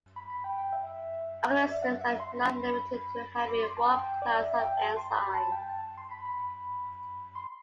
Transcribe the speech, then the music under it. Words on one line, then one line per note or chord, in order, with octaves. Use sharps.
Organisms are not limited to having one class of enzymes.
B5
B5
G5
G5
E5
D5
E5
F#5
E5
C6
B5
D6
C6
A5
G5
G5
D5
E5
G5
A5
C6
B5
A5
G5
A5
C6
B5
B5
C6